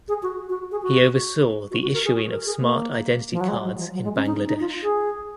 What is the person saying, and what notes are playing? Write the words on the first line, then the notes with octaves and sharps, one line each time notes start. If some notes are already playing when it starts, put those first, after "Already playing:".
He oversaw the issuing of smart identity cards in Bangladesh.
G#4
F#4
F#4
G#4
F#4
F#4
F#4
A#4
G#4
F#4
A#4
G#4
A#3
F3
F#3
G#3
F#3
F3
F#3
G#3
C#4
D#4
D#4
F4
G#4